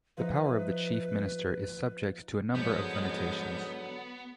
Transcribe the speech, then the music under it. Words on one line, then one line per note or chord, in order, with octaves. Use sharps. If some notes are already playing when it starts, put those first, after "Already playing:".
The power of the chief minister is subject to a number of limitations.
F3 D#4 E4 B4
G#2 D3 F3 F#3 G#3 B3 G6